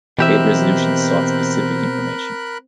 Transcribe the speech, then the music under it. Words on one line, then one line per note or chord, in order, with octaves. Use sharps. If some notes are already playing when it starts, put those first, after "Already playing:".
Eight resolutions sought specific information.
B2 E3 C4 G4 A#4 E5 B5 F#6